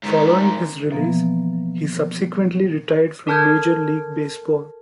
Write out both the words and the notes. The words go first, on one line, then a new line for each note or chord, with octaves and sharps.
Following his release, he subsequently retired from major league baseball.
G#2 D#3
B2 E3 F3 A#3 B3
A4 A#4 A5 F6 G6 G#6